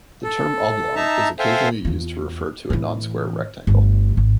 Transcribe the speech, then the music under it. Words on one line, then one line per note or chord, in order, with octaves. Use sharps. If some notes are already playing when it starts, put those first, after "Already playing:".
The term oblong is occasionally used to refer to a non-square rectangle.
A4
D#4 E5 A5 A#5
A4 C5 E5 F5 G5 G#5
E2 F4
A2 E3
G1 A3
G#1